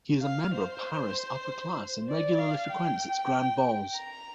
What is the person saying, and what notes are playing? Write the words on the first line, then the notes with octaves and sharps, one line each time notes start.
He is a member of Paris' upper class and regularly frequents its grand balls.
F5
C5
D5
F5
G5
A#5